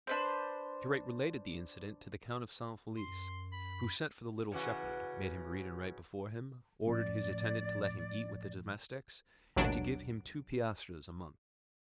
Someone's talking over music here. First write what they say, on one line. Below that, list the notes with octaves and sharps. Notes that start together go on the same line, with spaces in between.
The curate related the incident to the Count of San-Felice, who sent for the little shepherd, made him read and write before him, ordered his attendant to let him eat with the domestics, and to give him two piastres a month.
D4 B4 C5
F#2 C6
B5
C#3 E3 F#4
A2 F3 C#4 D5
A1 D#2 B2 F#3 D4 D7